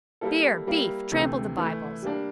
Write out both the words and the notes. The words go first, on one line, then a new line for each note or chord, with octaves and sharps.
Beer, beef, trample the bibles.
G3 A#3 E4 A4
G3 A#3 E4
D2 C3 E3 A3
E3 A3 E4
G3 A#3 D4